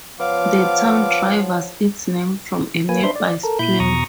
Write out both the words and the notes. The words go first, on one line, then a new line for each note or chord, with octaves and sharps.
The town derives its name from a nearby spring.
F3 B3 C#5 F5 F#5 D6
A#3 B4 G#5
D4 B4 C5 E5 C6
D5
A4 A#4
A#2 E4 B5 G6
E2 B2 A#5 C#6 D#6